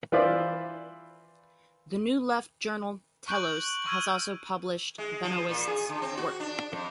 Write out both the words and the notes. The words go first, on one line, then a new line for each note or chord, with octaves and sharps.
The New Left journal "Telos" has also published Benoist's work.
E3 F4 B4 C5 D5 E5
C#6 F#6 G6 D7 F#7
C#6 E6 F6 G#6 D#7
G#3
F3
A#2
G#4
D3
C4
F#4
D4
F2